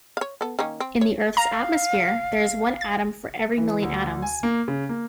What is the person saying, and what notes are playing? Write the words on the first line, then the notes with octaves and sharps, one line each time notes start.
In the Earth's atmosphere, there is one atom for every million atoms.
C#5 F5
B3 A4
D#3 A#3 C#4
C4
C#5
F5 A#5
A6
E3
D2
G#5
A#3
C#3
A#3